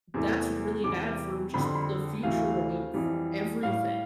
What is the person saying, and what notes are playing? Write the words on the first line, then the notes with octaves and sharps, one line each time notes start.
that's really bad for just the future of everything.
E2 C3 E3 A3
E2 C3 G3 D6
F2 D3 G3 B5
C6
B5
D2 C3 E3 A3 F5
F2 E3 G3
A2 G3 F5